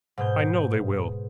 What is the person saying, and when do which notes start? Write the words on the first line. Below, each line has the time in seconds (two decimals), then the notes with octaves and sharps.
I know they will!'
0.17 G#2 B2 G6